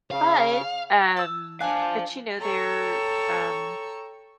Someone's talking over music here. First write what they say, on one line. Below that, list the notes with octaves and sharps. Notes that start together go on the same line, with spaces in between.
But, um, but, you know, they're, um,
C#3 F5
A5 E6
D4 C5 F5 G#5 F#6
A4 C#5 G5 A#5 C#6 E6